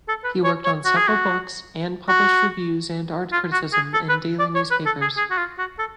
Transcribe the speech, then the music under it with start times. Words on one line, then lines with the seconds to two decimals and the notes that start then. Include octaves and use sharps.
He worked on several books and published reviews and art criticism in daily newspapers.
0.08 A4
0.24 B4
0.44 C#5
0.65 C#5
0.85 F#4
0.96 G#4
1.08 F#4
2.09 F#4
3.32 F4
3.52 F#4
3.73 G#4
3.94 A4
4.09 B4
4.39 D5
4.55 C#5
4.71 B4
4.86 A4
5.01 G#4
5.17 G#4
5.31 F#4
5.38 F4
5.58 F#4
5.79 A4